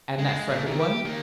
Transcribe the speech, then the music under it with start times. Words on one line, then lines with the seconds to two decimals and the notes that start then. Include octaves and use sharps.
"And that freckled one?"
0.18 G#3
0.49 A#2 A3
0.66 D#3 E3
0.79 G4
1.05 D#3 A#3